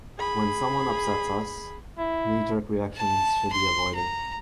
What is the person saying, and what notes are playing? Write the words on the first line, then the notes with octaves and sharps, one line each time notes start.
When someone upsets us, knee-jerk reactions should be avoided.
G#4 B5
E4
A5
C6
A#5